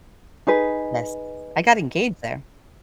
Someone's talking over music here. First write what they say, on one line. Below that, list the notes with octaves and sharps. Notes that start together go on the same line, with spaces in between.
Yes, I got engaged there.
D#4 G#4 B4